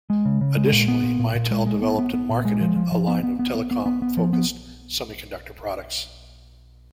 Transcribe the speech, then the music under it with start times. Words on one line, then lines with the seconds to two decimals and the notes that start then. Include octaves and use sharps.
Additionally Mitel developed and marketed a line of telecom-focussed semiconductor products.
0.10 G#3
0.25 C#3
0.41 C#3
0.57 G#3
0.72 A#2
0.88 B3
1.04 A#2
1.19 A#2
1.35 A#2
1.51 G#3
1.67 G#3
1.82 B3
1.98 B3
2.14 B3
2.30 A#2
2.45 G#3
2.61 F3
2.76 F3
2.92 F3
3.08 B3
3.23 B3
3.39 B3
3.55 B3
3.71 B3
3.86 B3
4.02 B3
4.17 F3
4.33 B3